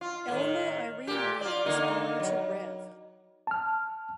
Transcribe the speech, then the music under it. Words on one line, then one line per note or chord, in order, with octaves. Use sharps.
Elma Irene Reed was born to Rev.
F4
A2 D#3
A#2 G4
F4 D5
D3 A#3 D#4
F#3
A5 F6